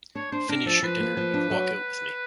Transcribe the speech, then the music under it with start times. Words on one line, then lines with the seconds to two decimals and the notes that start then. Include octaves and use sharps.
Finish your dinner, and walk out with me.
0.15 D4 C#5
0.32 D4 C5
0.49 D4 A#4
0.66 F3 A4
0.83 F3 B4
1.00 A#3
1.17 F3
1.34 D4
1.51 F#3